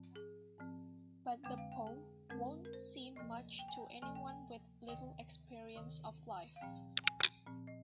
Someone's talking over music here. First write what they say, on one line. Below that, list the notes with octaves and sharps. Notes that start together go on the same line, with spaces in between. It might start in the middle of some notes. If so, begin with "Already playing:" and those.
But the poem won't seem much to anyone with little experience of life.
Already playing: G#2 F3 C4
G#4
G#2 F3 C4
F2 D3 G#3 C4 G5
F5
G5
G#4
F2 D3 G#3 C4 A#4
A#4
C5
D2 C3 F3 A#3 D#5
G5
G#5
G5
D2 C3 F3 A#3 G#5
G5
G#5
D2 C3 D#3 G5
D2 C3 D#3
F5
A#2 F3 C4 G5
G#5
A#2 F3 C4
D#5